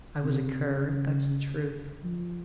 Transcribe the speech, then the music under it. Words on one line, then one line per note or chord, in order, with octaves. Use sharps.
I was a cur, that's the truth....
C3
C#3
F3